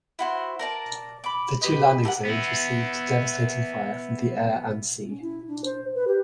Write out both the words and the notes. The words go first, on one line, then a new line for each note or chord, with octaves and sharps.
The two landing zones received devastating fire from the air and sea.
E4 F#4 C5
A#4 D5 A5
B5 D6
G4 B4 D#5
G4 A4 A#4 F#5
B3 E4
C#4
E4
D4
C5
B4
G4